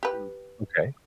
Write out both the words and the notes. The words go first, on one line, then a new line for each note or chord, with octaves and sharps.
Mm, okay.
G4 B4